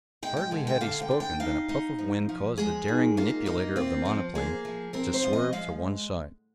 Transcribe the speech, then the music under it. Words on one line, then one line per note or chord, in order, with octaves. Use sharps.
Hardly had he spoken than a puff of wind caused the daring manipulator of the monoplane to swerve to one side.
G#3 G5
G5
D3 G#5
G5
D3 F5
G5
D4
G5
D#4 F5
D#4
F3
F3
G#3 G#4
D#3
A#3 F4
A#3 D#4
C4 F4
F3
A#3 G#4
F3
C4 A#4
C5
F3
D#5
G#3 F5